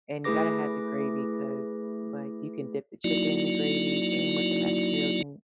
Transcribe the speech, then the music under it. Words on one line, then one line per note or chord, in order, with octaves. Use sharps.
and you gotta have the gravy 'cause, like, you can dip the chicken in the gravy, and with the mashed potatoes and
A3 E4 G#4 B4 D6 A#6
F#3 A#3 D#4 E4 F#4 D5